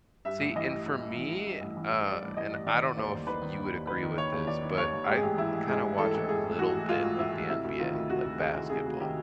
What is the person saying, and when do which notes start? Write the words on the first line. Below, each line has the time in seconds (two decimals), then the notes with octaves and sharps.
See, and for me, uh, and I don't know if you would agree with this, but I kinda watch a little bit of the NBA, like basketball.
0.25 G2 E5
0.41 A1
0.56 E3 D#5
0.71 A1
0.86 G2
1.01 A1
1.16 E3
1.31 A1
1.47 G2
1.61 A1
1.77 E3
1.91 A1
2.06 G2 D5
2.21 A1
2.37 E3 D#5
2.52 A1
2.66 D#3 D5
2.82 D#3
2.97 D#2 C5
3.12 D#2
3.27 D#3 B4
3.42 D#3
3.58 D#2
3.72 D#2
3.87 D#3 B4
4.03 D#3
4.18 D#2 C#5
4.33 D#2
4.47 D#3 D5
4.62 D#3
4.78 D#2 C#5
4.93 D#2
5.08 G#2 G4
5.16 G#4
5.23 A1 G4
5.38 E3 E4
5.53 A1
5.68 G#2 G#4
5.84 A1
5.98 E3 A4
6.14 A1
6.29 G#2 G#4
6.44 A1
6.59 E3 F#4
6.74 A1
6.88 G#2 F4
7.03 A1
7.19 E3 E4
7.35 A1
7.49 C3 E4
7.64 D2
7.79 D#3 F4
7.94 D2
8.09 C3 F#4
8.24 D2
8.39 D#3 G#4
8.54 D2
8.70 C3 G#4
8.85 D2
9.00 D#3 G4